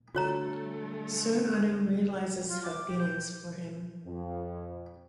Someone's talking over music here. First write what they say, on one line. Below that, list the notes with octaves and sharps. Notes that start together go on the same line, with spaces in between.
Soon Anu realizes her feelings for him.
D3 G3 A3 F#4 C#5 A#5
F4
D6
G4
G6
F2